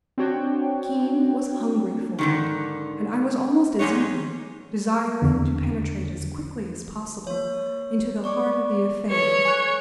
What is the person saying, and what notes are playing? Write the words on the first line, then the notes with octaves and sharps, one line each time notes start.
Keene was hungry for it, and I was almost as eager, desiring to penetrate as quickly as possible into the heart of the affair.
C4 D4 F#4 C#5 G5
G#2 D3 D#3
G#2 G3 G#3 B3 D#4 C#5
E2 D3
A#3 C#5
D5 C#6 D6
A4 B4 C#5
G#5 C#6 F#6